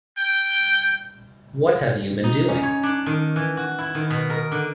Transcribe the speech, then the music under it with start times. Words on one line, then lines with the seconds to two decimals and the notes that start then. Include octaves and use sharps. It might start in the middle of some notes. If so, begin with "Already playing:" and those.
What have you been doing?
0.18 G5
2.24 D#4
2.49 C#4
2.63 C#5
2.83 D4
3.06 D#3
3.36 E3
3.57 F#4
3.78 E4
3.95 D#3
4.10 B2
4.30 A#4
4.52 D3